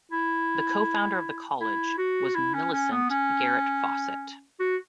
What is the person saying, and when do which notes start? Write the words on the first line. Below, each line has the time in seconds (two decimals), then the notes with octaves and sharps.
The co-founder of the college was Millicent Garrett Fawcett.
0.11 E4
1.61 E4
1.98 F#4
2.35 E4
2.54 C#4
2.73 C#4
2.91 B3
3.10 C#4
4.60 F#4